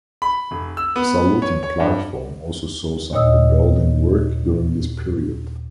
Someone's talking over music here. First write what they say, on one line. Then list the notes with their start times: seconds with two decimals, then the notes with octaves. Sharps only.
The saluting platform also saw some rebuilding work during this period.
0.22 B5
0.51 F1
0.77 E6
0.96 B3
1.42 C#5
1.63 C#5
1.80 G2
3.13 D#2 A#2 C#5 D#5 D#6 E6